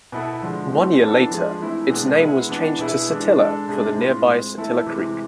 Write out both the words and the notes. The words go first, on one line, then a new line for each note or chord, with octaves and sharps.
One year later, its name was changed to Satilla for the nearby Satilla Creek.
B2 B3 E4 A4
D3 F3 G#3
E3 A3 C4
E3 B3 D4 A4
F3 G#3 D4 G#4
E3 A3 C4 E4
B2 G#3 D4 G#4
G#3 B3 E4 G#4
E3 B3 D4
B2 B3 E4 G#4
E3 G#3 D4
G#3 D4 A4
C3 G#3 D4 G#4
A2 G#3 C4 F4
G#3 C4 G#4
E3 A3 E4 A4
C3 E3 G#3